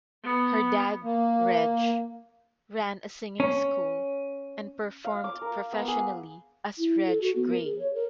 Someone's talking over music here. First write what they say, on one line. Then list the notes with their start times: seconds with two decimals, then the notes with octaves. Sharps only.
Her dad, Reg, ran a singing school and performed professionally as Reg Gray.
0.24 B3
1.02 A#3
3.40 C#4
5.05 F5
5.24 D6
5.42 A#4
5.73 B3
5.88 G#4
6.78 E4
7.07 A4
7.21 F#4
7.36 B3
7.49 A#4
7.64 G#4
7.79 C#5
7.95 A#4